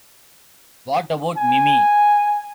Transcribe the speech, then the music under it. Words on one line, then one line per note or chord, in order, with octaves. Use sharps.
What About Mimi?
G#5